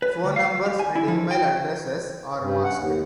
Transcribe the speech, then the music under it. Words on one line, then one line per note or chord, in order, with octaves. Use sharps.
Phone numbers and email addresses are masked.
B4
D2
F5
G4
G#5
E4
F3
G5
G2
F#5
D#2